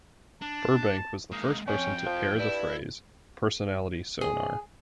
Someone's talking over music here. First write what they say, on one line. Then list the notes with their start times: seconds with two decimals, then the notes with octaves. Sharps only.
Burbank was the first person to air the phrase "personality sonar".
0.42 D4 A5
1.32 G#3 A#3 D#4
1.67 F2 C#4 G5
2.06 F3
2.39 G2 E4
4.21 G#4